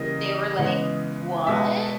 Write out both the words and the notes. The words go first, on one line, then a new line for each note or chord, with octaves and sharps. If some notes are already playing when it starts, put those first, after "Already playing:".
They were like, "What?"
Already playing: C#3 E3 G3 A#3 D#5
C#3 E3 G#3 B3
B2 G#3 B3 E5